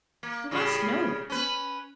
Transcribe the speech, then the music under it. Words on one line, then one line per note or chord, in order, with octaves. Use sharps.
You must know me!
A#3
A2 C#3 G3
C#4 B4